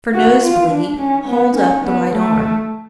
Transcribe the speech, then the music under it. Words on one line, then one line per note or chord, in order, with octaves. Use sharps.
For nose-bleed, hold up the right arm.
F#4
F4
D4
C#4
B3
C#4
B3
A3